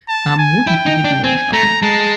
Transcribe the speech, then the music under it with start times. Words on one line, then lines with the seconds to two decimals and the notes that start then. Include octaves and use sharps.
Am Montag beginnt die neue Staffel.
0.09 A5
0.38 G#5
0.67 E4 G5
0.86 D#4
1.04 D4
1.24 C4 G#5
1.53 A3 A#5
1.82 G#3 A5